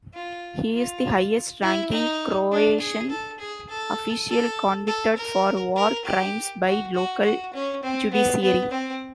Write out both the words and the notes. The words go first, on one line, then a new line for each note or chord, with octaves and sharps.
He is the highest ranking Croatian official convicted for war crimes by local judiciary.
F4
F4
E4
D#4
D4
G#4
A4
G#4
A4
A4
A4
A#4
A#4
G4
F#4
F#4
F#4
C#4
C4
B3
B3
C4